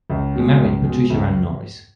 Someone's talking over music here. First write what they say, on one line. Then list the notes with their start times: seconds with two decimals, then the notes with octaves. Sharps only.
He married Patricia Ann Norris.
0.10 C#2
0.35 B2 G#3
0.60 C#2
0.85 B2 G#3
1.10 C#2